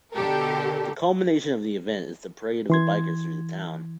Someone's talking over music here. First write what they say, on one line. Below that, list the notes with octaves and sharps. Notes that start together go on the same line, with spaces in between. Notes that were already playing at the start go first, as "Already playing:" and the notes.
The culmination of the event is the parade of the bikers through the town.
B2 D3 G4 A4 A#4
E3 C6 G#6